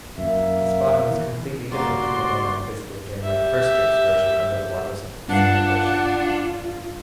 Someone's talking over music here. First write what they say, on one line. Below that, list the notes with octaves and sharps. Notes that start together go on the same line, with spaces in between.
This bottom was completely different from the one I had visited during my first excursion under the waters of the Pacific Ocean.
F#2 A#3 E5
E3
G2 C#3 A#3 F#4 D5 C6
G4 E5
G2 D4 F4 F5 F#5